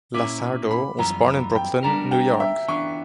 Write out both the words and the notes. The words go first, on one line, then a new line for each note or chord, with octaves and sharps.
LaSardo was born in Brooklyn, New York.
A#2 A#3 C#4 E4 D6
B5
F#2 E3 G3 B3 A#5
G5
G3 B3 D4 A#4 A#5
G5
E5
E3 B3 D4 C#6